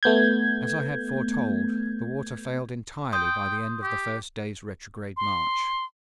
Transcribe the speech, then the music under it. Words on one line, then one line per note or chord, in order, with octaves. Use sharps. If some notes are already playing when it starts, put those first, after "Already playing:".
As I had foretold, the water failed entirely by the end of the first day's retrograde march.
A3 B3 G6 G#6
G5 C6 D#6 G6
G4
C6